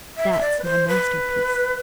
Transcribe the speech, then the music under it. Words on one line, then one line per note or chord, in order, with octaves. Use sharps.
That's my masterpiece.
E5
E5
D5
B4
C5
B4